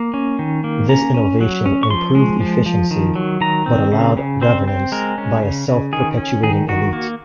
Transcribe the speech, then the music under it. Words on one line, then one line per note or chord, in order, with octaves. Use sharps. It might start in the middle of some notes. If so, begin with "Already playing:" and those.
This innovation improved efficiency, but allowed governance by a self-perpetuating elite.
Already playing: A#3
C#4
D#3
A#3
C#4 A#5
C#4
F#3
C#4
C#6
F3 C6
G#3
F3
F3
D#3
F#3
D#3 A#5
C4
C#3
C#3
C4 C5
C4
G#3 A#4
C#4
C#3
C#3
D#3 G#4
C#4
D#3 G#4
D#3 F#4
A#3